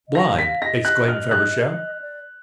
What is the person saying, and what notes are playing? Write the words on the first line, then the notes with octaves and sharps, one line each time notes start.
"Blind!" exclaimed Feversham.
D#5
A#6
F#5
F5
B6
F5
D#5 A#6
F#6
F6
F#6
D5